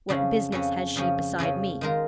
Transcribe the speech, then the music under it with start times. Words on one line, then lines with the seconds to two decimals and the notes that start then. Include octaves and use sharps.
"What business has she beside me!"
0.09 F2 C#3 F3 C#4
0.52 F2 C#3 F3 C#4
0.96 F2 C#3 F3 C#4
1.38 F2 C#3 F3 C#4
1.81 D#3 G#3 F4 A#4